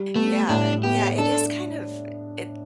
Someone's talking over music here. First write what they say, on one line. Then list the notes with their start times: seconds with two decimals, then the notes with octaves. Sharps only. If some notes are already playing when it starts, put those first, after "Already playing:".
Yeah, yeah, it is kind of it
Already playing: G3
0.15 A3 B3
0.49 A2 D4
0.83 B3 G4
1.18 D4 A4